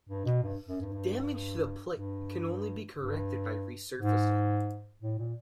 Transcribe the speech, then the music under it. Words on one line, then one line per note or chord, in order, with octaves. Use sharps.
Damage to the plate can only be corrected by resurfacing.
G2
B2
G2
F#2
G2
G2
G2
G2
G#2
A2
A#2